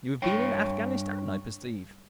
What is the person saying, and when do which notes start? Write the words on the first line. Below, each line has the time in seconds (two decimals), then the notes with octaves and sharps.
"You have been in Afghanistan, I perceive."
0.22 G2 C#5 G5